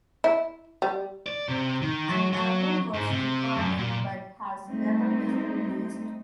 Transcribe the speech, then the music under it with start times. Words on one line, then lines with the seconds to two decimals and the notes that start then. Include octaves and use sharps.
An album was recorded but has never been released.
0.24 E4
0.82 G3
1.27 D5
1.49 C3
1.82 D#3
2.10 F#3
2.33 F#3
2.94 G#2
3.10 C3
3.56 F#2
3.78 A#2
4.65 G3 A3 C4 D#4